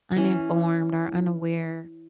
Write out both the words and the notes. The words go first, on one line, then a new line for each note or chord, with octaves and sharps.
uninformed or unaware
E3 C#4